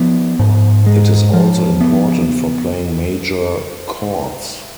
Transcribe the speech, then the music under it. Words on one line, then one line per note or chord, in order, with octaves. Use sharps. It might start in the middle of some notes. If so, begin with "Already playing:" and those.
It is also important for playing major chords.
Already playing: F3 B3
G#2
G#3
F3
B3